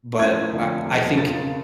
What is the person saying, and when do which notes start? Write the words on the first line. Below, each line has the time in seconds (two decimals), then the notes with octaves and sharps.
but, I I think,
0.19 A2 F3 A#3 C#4 E4 G#6
0.52 F2 D3 F3 A3
0.85 E2 B2 F#3
1.18 F2 C#3 F3 A#3 A6